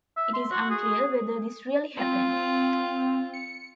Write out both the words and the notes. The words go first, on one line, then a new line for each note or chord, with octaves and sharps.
It is unclear whether this really happened.
E5
C6
F#4
G#4
C4 F4
C#7